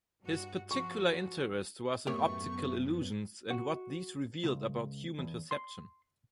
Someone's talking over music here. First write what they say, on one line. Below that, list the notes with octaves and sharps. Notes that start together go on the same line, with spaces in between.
His particular interest was in optical illusions and what these revealed about human perception.
G2 F#4
F3 F#4 C#6
F#2 A2 A3 B3 G4 A#4 C#5 C#6
F#4
C#2
E2
C6